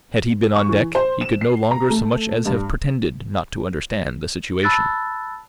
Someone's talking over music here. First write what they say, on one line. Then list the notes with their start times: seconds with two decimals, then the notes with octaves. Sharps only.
Had he been on deck, he could no longer so much as have pretended not to understand the situation.
0.56 C#6
0.69 E3
0.95 C5
1.21 E7
1.41 C7
1.71 A#5
1.90 A3
2.45 G2
4.63 A5 B5 E6 F#6 A6